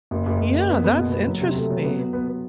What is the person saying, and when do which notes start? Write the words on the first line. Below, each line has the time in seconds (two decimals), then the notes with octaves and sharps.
Yeah, that's interesting.
0.11 F#1
0.26 F#1
0.41 F#1
0.55 F#1
0.70 B3
0.84 B3
0.98 B2
1.12 B3
1.27 F#3
1.41 C3
1.56 A3
1.70 F#3
1.84 B3
1.99 B3
2.13 B3
2.28 B3